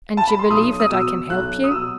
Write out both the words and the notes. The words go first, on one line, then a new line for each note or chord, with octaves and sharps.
"And you believe that I can help you?"
A5
B5
C6
B1 D#6
D#6
B2 F#3 E6
B1 F#6
D#6
B2 F#3 E6